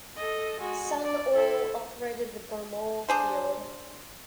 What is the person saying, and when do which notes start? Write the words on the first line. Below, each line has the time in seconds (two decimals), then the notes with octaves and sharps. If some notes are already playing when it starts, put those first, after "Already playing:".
Sun Oil operated the Balmoral field.
0.17 A4 D#5
0.60 G#3 F#4
1.04 D5
1.35 E4 A4
3.09 D4 G#4 C5